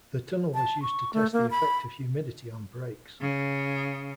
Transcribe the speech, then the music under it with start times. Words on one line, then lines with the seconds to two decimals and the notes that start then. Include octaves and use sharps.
The tunnel was used to test the effect of humidity on brakes.
0.54 A5
0.82 C#6
1.13 A3
1.33 A#3
1.51 B5
3.20 C#3